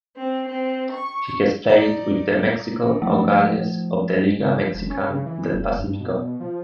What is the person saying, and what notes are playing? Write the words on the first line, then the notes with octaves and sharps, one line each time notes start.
He has played with the Mexicali Aguilas of the Liga Mexicana Del Pacifico.
C4
C4
C#6
D#4 D5 A#5
F3 A3
C#3
F3
E1
C#4
C#3
E3
E1
G2
B2
B2
F3